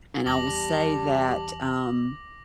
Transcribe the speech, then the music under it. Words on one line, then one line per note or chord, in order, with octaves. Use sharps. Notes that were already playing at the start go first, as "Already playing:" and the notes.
And I will say that, um
E2 G3 A5 D6 A#6 F#7